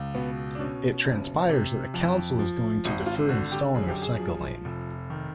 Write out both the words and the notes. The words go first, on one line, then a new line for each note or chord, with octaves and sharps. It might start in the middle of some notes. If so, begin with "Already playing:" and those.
It transpires that the council is going to defer installing a cycle lane.
Already playing: C#2
B2 B3
D4
B2 C#4
F#1
C3
F2
F3
G#1 D#4
F4
D3 F#4
G4
F#2 G#4
G4
G#4
F3
F1
D#3